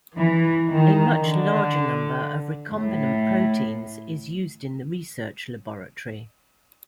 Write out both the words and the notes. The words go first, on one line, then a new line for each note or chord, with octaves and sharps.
A much larger number of recombinant proteins is used in the research laboratory.
E3
D#3
D3
A2